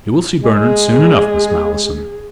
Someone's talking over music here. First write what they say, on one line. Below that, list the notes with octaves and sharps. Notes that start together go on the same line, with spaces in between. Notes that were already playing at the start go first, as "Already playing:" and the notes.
"You will see Bernard soon enough, Miss Malleson."
G#3 G#4